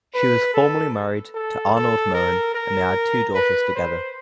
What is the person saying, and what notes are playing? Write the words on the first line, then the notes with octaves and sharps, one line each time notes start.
She was formerly married to Arnold Moen and they had two daughters together.
B4
A4
A4
A4
A#4
A#4
B4
C5